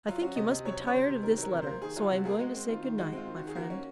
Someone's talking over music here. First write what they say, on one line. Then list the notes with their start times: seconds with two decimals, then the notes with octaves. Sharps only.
I think you must be tired of this letter, so I am going to say good-night, my friend.
0.08 F#3 F4
0.21 C#4 F#4
0.36 C3 D#5
0.51 C3 D#5
0.65 F#3 C#5
0.80 C#4
0.87 C#5
0.95 C3 C5
1.09 C3
1.23 D#3 A#4
1.37 F#3 A#4
1.53 C3
1.62 A#3 C5
1.82 D#3 G#4
1.96 F#3 F4
2.11 C3 F#4
2.25 A#3 G#4
2.39 G#3 F#4
2.54 C4
2.68 D#3 F4
2.83 D#3
2.98 G#3 F#4
3.12 C4 F4
3.26 D#3
3.36 F#4
3.42 D#3
3.47 G#4
3.55 A#3 F#4
3.70 C#4